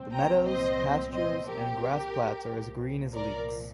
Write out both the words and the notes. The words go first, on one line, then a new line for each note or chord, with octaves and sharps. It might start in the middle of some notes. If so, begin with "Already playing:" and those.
The meadows, pastures and grass plats are as green as leeks.
Already playing: C2 A#2 F3 C4
G5 A#5
C5 D#5
C5 D#5
G4 A#4
C2 A#2 F3
A#4 D5